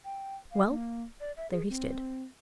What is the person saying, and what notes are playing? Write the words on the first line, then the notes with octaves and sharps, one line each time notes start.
Well, there he stood.
G5
F5
A#3
D5
E5
G#4
C4